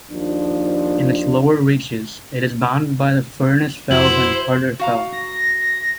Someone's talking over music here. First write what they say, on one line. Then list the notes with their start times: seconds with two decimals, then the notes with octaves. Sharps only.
In its lower reaches it is bounded by the Furness Fells and Harter Fell.
0.11 D#2 F3 D4
3.91 F2 E4 F#4 C5 F#7
4.79 F#4 F5 A#5
5.13 A#6